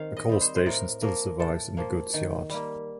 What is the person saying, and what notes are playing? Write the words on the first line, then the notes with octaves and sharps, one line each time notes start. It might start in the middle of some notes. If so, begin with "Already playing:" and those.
A coal station still survives in the goods yard.
Already playing: D#3 C4 F5
D#5
G3 C4
C5
C5
A2 A#4
F3 A#3 A#4
A2 A4
F3 A#3
D#3
G3 A#3